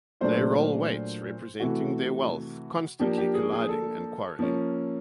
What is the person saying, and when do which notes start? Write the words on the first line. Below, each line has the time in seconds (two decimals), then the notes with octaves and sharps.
They roll weights representing their wealth, constantly colliding and quarreling.
0.21 A#2 F#3 A3 D4 C5
1.60 C3 E3 A3 F#4
3.00 F3 A#3 D4 G4
3.18 G4
3.34 G#4
3.52 G#4
3.69 A4
4.39 F3 A#3 C#4